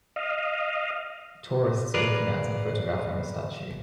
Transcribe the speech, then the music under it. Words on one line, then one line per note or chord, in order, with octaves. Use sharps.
Tourists are looking at and photographing a statue.
D#5 F5
G#4 A#4 B4 D5